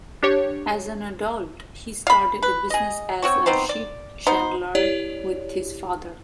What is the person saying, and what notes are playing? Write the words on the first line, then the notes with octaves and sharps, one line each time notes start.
As an adult, he started a business as a ship chandler with his father.
D4 G4 C#5
F5 B5
B4
G#4 D#5
C4 F#4 C#5
B3 C4 D#4 C5
D5
B3 D#4 C5
E4 G4 C#5 D5